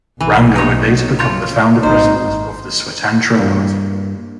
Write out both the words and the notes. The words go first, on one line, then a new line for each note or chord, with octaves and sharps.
Ranga would later become the founder-president of the Swatantra Party.
B1 E3
D#4 C#5
F4 C#5
G#1 D#4 C5
G2 G3 A#3